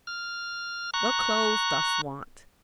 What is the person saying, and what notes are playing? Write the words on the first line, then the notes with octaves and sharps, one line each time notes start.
What clothes dost want?
F6
A#5 C#6 F#6